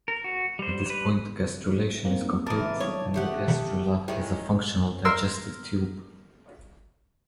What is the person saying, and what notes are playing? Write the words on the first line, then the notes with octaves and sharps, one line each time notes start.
At this point gastrulation is complete, and the gastrula has a functional digestive tube.
A#4
F#4
G3 C5
G3 B4
G3 A#3 C4
E3 A#4 A5 D6 D#6
C#5
A3 G4 F#5
D#3 G#3 C#4 E4 G4
A#4 C6 E6